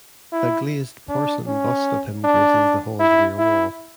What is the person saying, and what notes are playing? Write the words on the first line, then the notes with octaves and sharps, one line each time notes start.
A glazed porcelain bust of him graces the hall's rear wall.
E4
D4
C#4
D4
E4
E4